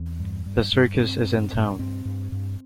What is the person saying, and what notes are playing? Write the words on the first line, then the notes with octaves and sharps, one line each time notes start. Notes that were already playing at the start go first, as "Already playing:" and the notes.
The circus is in town!.
Already playing: E2 C4
G2
G2
G2
G2 C4
G2
G2
G2 C4
G2
G2